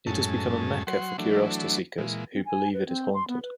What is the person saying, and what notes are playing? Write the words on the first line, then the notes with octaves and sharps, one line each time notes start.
It has become a mecca for curiosity seekers who believe it is haunted.
F#2 A2 G#3 C#4 A5
F#3 F#5 C6
E3 F#3 A3 D4
A#2 E3 G#3
C4
G#5
B4
C4
C6
B3
B4